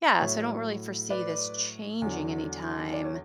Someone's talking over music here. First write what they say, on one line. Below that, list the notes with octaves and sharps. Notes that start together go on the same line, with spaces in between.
yeah, so I don't really foresee this changing anytime,
A2 F#3 A3 C#5 E5
B4 D5
E2 D3 F#3
D5
C#5